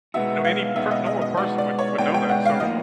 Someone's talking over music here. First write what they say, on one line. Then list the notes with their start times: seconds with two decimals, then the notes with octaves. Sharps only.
you know any per normal person would would know that, so,
0.14 B2 G#3 B3 D#4 F#4 E5
0.44 F5
0.76 B2 G#3 B3 D#4 F#4 E5
0.91 D#5
1.06 D#5
1.22 D#5
1.37 B2 G#3 B3 D#4 F#4 D5
1.58 D5
1.79 C#5
1.98 B2 G#3 B3 D#4 F#4 G5
2.14 G5
2.29 F#5
2.45 F5
2.60 A2 F3 A#3 D#4 D#5